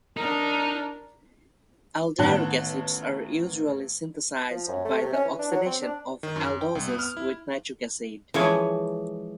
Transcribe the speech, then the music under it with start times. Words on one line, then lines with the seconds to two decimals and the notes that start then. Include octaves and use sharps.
Aldaric acids are usually synthesized by the oxidation of aldoses with nitric acid.
0.17 D4 D#4 A#4
2.19 A1 D#3 B3 A5 F#6
4.51 F3
4.68 F#2
4.85 A3
5.01 C3
5.13 C#4
5.25 E3
5.39 D4
5.51 F#3
5.66 C4
5.83 D4
6.23 D#3
6.36 F#2
6.61 G5
6.75 C2
6.88 B3
6.99 F6
7.17 E4
8.34 E3 F3 G#3 B4 C#5